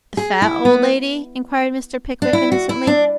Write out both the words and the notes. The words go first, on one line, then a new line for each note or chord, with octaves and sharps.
'The fat old lady?' inquired Mr. Pickwick innocently.
G#4
E4
B3
D4
E4
F#4
E4
D4